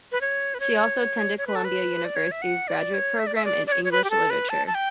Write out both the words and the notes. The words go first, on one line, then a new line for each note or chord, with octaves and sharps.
She also attended Columbia University's graduate program in English literature.
B4
C#5
B4
C#5
C#5
B4
A4
B4
D5
C#5
E5
F#5
D5
C#5
E5
D5
E5
D5
D5
C#5
C#5
B4
G4
A4
B4
A5
A5
G5